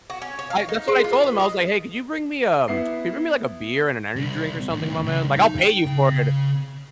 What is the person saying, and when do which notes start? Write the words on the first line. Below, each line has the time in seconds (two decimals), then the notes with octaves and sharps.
I that's what I told him, I was like, "Hey, could you bring me um could you bring me like a beer and an energy drink or something, my man? Like, I'll pay you for it
0.10 F#4
0.22 C#4
0.39 C#5
0.50 F5
0.69 D#4
0.88 G#3
1.04 F4
1.24 B4
1.40 D#5
2.68 B3 E4 C7
4.16 C2
4.70 D#2 A2
5.06 C#2
5.37 D#4
5.59 G5
5.86 C#3